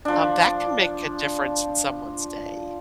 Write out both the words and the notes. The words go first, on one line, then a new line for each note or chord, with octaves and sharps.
um, that can make a difference in someone's day.
F3 D4